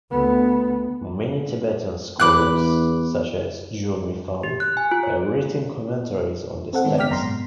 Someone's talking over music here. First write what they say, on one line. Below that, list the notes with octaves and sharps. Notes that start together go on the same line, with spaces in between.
Many Tibetan scholars, such as Ju Mipham, have written commentaries on this text.
D2 B3
E2 B5 D6 F#6
G4
F#6
G#5
F4
C#5
C4 A4 F#5
D#3 G#3 B3 D4 D#4
G1 C#3 D5 G5 F6 B6
G#1 F#2 A#5 C6
G#2 B2